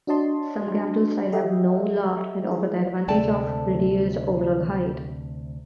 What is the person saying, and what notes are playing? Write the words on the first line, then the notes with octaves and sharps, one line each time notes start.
Some Gambrel-styles have no loft and offer the advantage of reduced overall height.
D4 F#4 C#5 D#5 A5 C6
G4 A4 D#5 E5 F#5 G5
E4 G#4
D2 C3 A3 D5 G5 A5